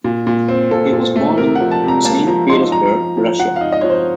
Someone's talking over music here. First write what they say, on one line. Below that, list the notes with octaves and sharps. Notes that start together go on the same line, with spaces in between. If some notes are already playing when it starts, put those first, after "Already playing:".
He was born in Saint Petersburg, Russia.
A#2
A#2
C4
A#2 A4
A#2
A3
C3 A#4
F#5
F3
A5
C3 A#5
A#3 A5
F3 A#5
D#4 C6
F3 A#5
F3
F3
F3 F#5
D#4 F5
D#5
F3 C#5
C5